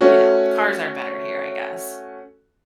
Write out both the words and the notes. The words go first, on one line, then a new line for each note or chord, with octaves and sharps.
you know cars are better here, I guess.
A3 C#4 F#4